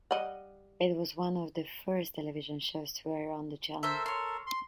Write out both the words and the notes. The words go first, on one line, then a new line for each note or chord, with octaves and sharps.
It was one of the first television shows to air on the channel.
G3 D#5 F#5
A4 A#4 C5 E5
C#5 C6
C6